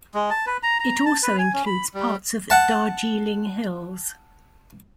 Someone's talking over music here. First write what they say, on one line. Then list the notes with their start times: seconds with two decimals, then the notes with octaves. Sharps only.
It also includes parts of Darjeeling Hills.
0.14 G#3
0.30 A5
0.46 B4
0.63 A#5
0.80 A#5
1.06 A5
1.23 B4
1.39 G#5
1.54 C#4
1.66 B5
1.94 G3
2.50 F#5 A5